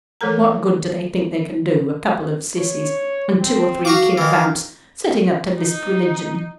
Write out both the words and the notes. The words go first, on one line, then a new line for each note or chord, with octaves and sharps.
What good do they think they can do, a couple of sissies, and two or three kid vamps, setting up to lisp religion?
E3 A3 A4 A#4 A#5
C#5
C4
F#4 F5 C#6 D6
D#3 E3
D#4